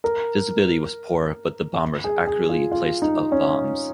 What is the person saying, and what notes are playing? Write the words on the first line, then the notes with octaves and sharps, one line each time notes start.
Visibility was poor but the bombers accurately placed of bombs.
A#4
G#4
G#4
F4
F4
D#4
C#4